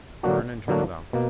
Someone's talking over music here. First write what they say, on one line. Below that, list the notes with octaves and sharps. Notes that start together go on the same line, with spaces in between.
Turn and turn about.
D3 F#3 A#3 D4 F#4
D3 F#3 A#3 D4 F#4
B2 A#3